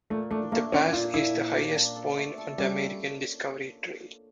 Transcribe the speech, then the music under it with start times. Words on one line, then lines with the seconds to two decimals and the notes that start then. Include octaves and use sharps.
The pass is the highest point on the American Discovery Trail.
0.10 A#2 A3
0.31 A3 D4
0.52 A3 A#3
0.72 A#2 C#4
0.93 A#2 F4
1.14 A#2 E4
1.34 A#2
1.55 D4
1.76 D4
1.96 A4
2.17 A3
2.38 A4
2.58 G3 C#4